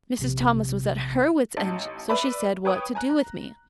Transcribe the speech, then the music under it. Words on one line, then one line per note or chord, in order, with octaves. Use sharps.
Mrs. Thomas was at HER wits' end, so she said, what to do with me.
A#1 C3
A1 D#4 A5
B4 D5 E5 B5
B4 C#5 G5 D#6
G#5 A#5 F#6
A#5